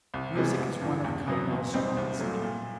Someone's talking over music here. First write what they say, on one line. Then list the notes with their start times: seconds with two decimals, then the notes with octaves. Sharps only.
Music is one of Conwell's strongest aids.
0.14 C2
0.35 C3 E3 G#3 B3
0.58 A1
0.81 G2 E3
1.05 E2
1.28 B2 F#3 B3
1.51 A#2
1.74 G3 C4 D#4
1.97 C2
2.19 A#2 F#3 A3
2.42 A#2